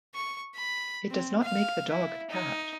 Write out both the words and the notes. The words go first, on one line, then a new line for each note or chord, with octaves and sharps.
It does not make the dog a cat.
C#6
B5
C4
F5
E4
D#4